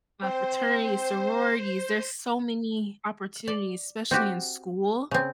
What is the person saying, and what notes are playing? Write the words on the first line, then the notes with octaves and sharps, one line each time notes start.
uh, fraternities, sororities, there's so many opportunities, especially in school,
C4 C5
D5
C4 F#4 G4
C#3 C4